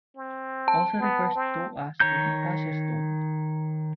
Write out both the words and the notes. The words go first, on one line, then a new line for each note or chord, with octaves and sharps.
Also referred to as a metacestode.
C4
A5
B3
C4
D#3 C#5 A#5 G6